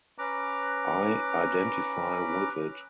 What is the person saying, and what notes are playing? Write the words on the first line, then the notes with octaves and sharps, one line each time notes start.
I identify with it.
C#4 B4 A#5 D6